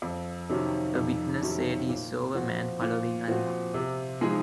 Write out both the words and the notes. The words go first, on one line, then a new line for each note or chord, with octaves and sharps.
A witness said he saw a man following Alma.
F2
C3 D#3 F#3 C#4
F2
C3 D#3 F#3 C#4
A#2
F3 C4 F#4
A#2
F3 C4 F#4
C3
F3 G#3 D#4 G#4